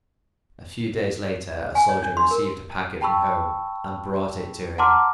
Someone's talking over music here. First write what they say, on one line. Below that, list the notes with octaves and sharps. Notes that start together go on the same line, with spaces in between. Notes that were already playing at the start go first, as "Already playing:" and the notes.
A few days later a soldier received a packet from home and brought it to him.
G#5
C#5
D4
C6
A#4
G5 A5 B5 C#6 E6
F#5 A5 A#5 C6 D6 F6